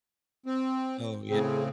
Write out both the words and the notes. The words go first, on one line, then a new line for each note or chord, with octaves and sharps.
Oh, ye
C4
A2 C#3 C4 G#4